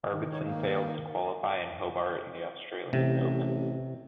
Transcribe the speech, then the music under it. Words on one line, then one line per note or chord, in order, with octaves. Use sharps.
Arvidsson failed to qualify in Hobart and the Australian Open.
B2 D#3 E3
D#4 C#5
A#3
A1 C3